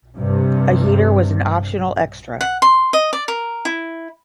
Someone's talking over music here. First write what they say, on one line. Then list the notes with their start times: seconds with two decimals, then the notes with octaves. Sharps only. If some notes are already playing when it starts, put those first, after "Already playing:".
A heater was an optional extra.
0.17 G2 C3
2.41 F#5
2.62 C6
2.93 D#5
3.13 D5
3.28 A#4
3.65 E4